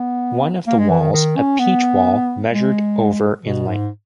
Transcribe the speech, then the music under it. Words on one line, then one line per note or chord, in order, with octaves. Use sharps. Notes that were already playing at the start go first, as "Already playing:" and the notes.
One of the walls, a peach wall, measured over in length.
Already playing: B3
A#3
G#3
E3
D#3
D#3
C#4
B3
G#3
B2
G#2